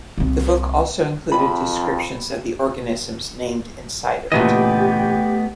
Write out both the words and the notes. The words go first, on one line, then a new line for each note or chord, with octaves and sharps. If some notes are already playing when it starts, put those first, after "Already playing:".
The book also included descriptions of the organisms named inside of it.
C2 C3
F2 B5
A#2 C#3 E3 A3 B3 G4 D#5